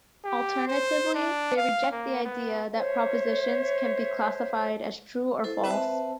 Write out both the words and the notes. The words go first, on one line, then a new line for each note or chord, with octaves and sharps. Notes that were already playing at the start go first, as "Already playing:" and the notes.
Alternatively, they reject the idea that propositions can be classified as true or false.
G4
C5
D4
F5
A#3
B3
C5 C#5 E5
E4 A4 C5
C4 B4 C5 E5 A5